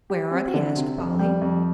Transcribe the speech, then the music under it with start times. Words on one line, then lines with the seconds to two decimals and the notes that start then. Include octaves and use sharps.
"Where are they!" asked Polly.
0.10 G4
0.31 C4
0.54 D3
0.76 C3
0.98 F2
1.19 G3
1.41 F2